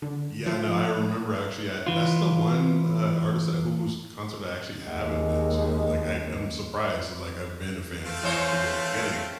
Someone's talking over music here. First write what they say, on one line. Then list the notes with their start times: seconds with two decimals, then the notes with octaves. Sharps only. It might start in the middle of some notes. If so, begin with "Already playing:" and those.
yeah, no, I remember actually, I that's the one, uh, artist that whose concert I actually haven't been to, like, I I'm surprised, 'cause, like, I've been a fan since, like, the very beginning,
0.02 D3
0.46 F3
1.86 E3 F4
4.85 D#2 G#3
8.06 A3 C4 F5
8.23 E3 C5 C#5